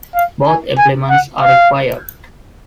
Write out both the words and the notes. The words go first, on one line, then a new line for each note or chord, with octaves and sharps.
Both elements are required.
F5
G#5
G#5
F#5
F5